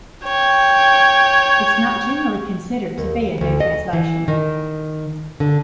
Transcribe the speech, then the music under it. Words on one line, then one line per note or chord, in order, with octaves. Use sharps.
It is not generally considered to be a new translation.
C#5 G5
D#2
D2
D#5
E3
D#3
D3